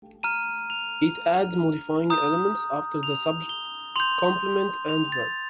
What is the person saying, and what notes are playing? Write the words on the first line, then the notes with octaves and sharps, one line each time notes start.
It adds modifying elements after the subject, complement, and verb.
A#5 F6 D#7
F7
A#5 D#6 G6
F7
G7
C6 G6 F7
F7
A6